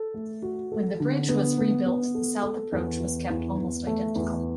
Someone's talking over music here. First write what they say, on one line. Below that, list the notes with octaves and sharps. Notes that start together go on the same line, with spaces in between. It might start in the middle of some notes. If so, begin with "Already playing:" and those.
When the bridge was rebuilt, the south approach was kept almost identical.
Already playing: A4
A3
F#4
A4
D3
B3
B3
B3
A4
A4
E2
E3
E2
E2
A3
E2